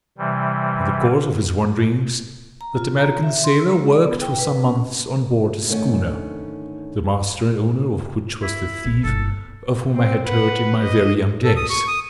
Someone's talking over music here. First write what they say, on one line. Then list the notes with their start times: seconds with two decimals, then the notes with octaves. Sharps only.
In the course of his wanderings that American sailor worked for some months on board a schooner, the master and owner of which was the thief of whom I had heard in my very young days.
0.18 C3 E3 G3
2.61 A#5
2.77 F4
2.98 A#5
3.23 E5
3.44 C6
3.59 E6
3.71 G#3
3.93 D5
4.04 B3
4.21 G5
4.39 B4
4.64 C#4
5.67 G#2 D3 D#3 A3 C#4
8.42 E4
8.85 F1 B1
9.04 G1 E4 A4
9.94 C4
10.27 B4 F#5
10.82 D#5
11.44 A4
11.56 D#6
11.70 C#6
11.87 D#6